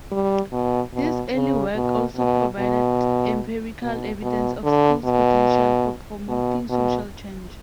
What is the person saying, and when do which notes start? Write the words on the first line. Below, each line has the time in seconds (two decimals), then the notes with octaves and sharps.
This early work also provided empirical evidence of schools' potential for promoting social change.
0.12 G3
0.52 B2
0.94 B2
1.35 C#3
1.75 B2
2.17 B2
2.59 B2
3.81 B2
4.22 B2
4.63 D3
5.04 B2
6.28 B2
6.69 B2